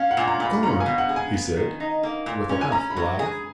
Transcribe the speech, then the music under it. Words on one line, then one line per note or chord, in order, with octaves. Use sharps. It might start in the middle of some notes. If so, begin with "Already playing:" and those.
"Gone!" he said with a half laugh.
Already playing: C#4 F5
F#5
A#2
A#5
A#2
B5
C#4 A#5
G#5
B2
F#5
G#4
G#5
B3
D#3
D#4
A#3
A#2
C#4
G#5
C#4 A#5
B5
F#3
G#4
G#5